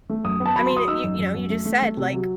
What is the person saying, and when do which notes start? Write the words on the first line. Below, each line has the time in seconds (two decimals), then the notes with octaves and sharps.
I mean, uh, you you know, you just said like, f
0.09 A3
0.24 F#2 D#6
0.40 B3
0.46 A5
0.56 F#3 B5
0.66 C6
0.72 F#3 D#6
0.88 D#4 E6
1.04 F#2
1.19 F#2
1.35 F#2
1.50 A3
1.65 A3
1.82 A3
1.97 C3
2.13 F#3